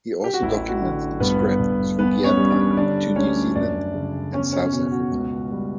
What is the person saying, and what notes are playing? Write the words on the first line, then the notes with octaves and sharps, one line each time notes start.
He also documents its spread through the Empire, to New Zealand and South Africa.
G4
F#4
A1 E4
F#4
D3
G2 B3 B4
G2
E2 B3 B4
C#4 C#5
G3
D4 D5
D3 D4 D5
D2 C#4 C#5
F#2 D4 D5
C#3
E2 C#4 C#5
C#4 C#5
B2 C#4 C#5
F#4
C#2
G3